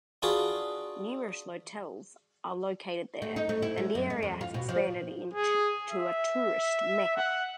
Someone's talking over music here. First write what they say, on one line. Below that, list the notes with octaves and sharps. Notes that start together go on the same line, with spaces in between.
Numerous hotels are located there and the area has expanded into a tourist Mecca.
D4 F4 F#4 G#4 B4
A3
D#4
A3
E4
G#3
F#2
G#3
E2
F4
B2
F3
G#4
E5
F#5